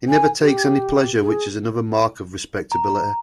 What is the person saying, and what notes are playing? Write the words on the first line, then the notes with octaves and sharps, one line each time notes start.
He never takes any pleasure, which is another mark of respectability.
G#5
G4
G#4
A#5